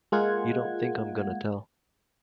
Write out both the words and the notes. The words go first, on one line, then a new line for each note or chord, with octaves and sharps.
You don't think I'm gonna tell!
G#3 A#3 F4 F#5 G#6